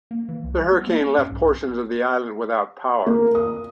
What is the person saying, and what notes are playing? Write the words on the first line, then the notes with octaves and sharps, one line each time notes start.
The hurricane left portions of the island without power.
A#3
E3
C2
G3
B3
A#3
C#4
G#2
B1
A#3
D#6